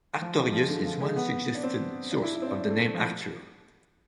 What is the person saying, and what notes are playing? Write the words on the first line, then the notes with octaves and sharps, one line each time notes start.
Artorius is one suggested source of the name Arthur.
F3
G#3
F3
D3
F3
G#3
B3
D4
C4
D4
E4
E4
C4
D4
D4
A3
F3